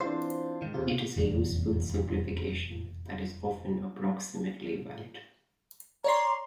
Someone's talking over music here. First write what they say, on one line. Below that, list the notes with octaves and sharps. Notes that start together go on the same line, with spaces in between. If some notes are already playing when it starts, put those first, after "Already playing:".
It is a useful simplification that is often approximately valid.
E3 C4 D4 F4 C5
G#2 D#3
D#2 C3 F4
F1 E2 A#2
C#5 D5 A#5 C6